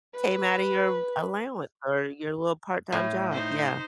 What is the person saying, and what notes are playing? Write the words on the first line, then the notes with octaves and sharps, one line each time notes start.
came out of your allowance, or your little part time job, yeah.
B4
A2
D#4 C5